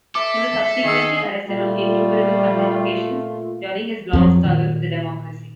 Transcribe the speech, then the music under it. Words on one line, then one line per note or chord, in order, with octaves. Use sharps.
He was subsequently arrested on innumerable occasions during his long struggle for the democracy.
A4 E5 D6
D#3 G#4 E6
A#2 G3 A3 F4
F2 F3 F#3
A#2 D#3